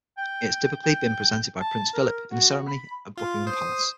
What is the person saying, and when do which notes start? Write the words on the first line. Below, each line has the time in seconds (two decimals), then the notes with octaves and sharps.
It has typically been presented by Prince Philip in a ceremony at Buckingham Palace.
0.18 G5
0.84 G5
1.60 A5
1.93 A#4
2.31 F#4
2.68 B5
3.17 F4 C6
3.47 C5 D#6